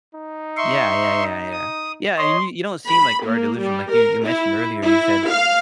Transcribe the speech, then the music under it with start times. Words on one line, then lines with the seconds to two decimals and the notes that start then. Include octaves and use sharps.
Yeah. Yeah, yeah, yeah. Yeah, and you you don't seem like you are delusional, like, you you mentioned earlier, you said,
0.14 D#4
0.57 E5 C6 C#6
1.52 D#6
2.18 C#5 D#5 C6
2.87 B5
3.25 A#3
3.61 G3
3.91 A#4
4.25 E4
4.84 E4
5.29 F5